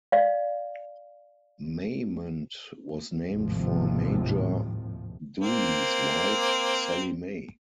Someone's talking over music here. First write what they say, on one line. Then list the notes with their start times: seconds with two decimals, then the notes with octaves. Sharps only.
Maymont was named for Major Dooley's wife, Sallie May.
0.12 D5 F5
3.32 G#1 D#2 A2 C3 D#3 F3
5.41 A#3 C4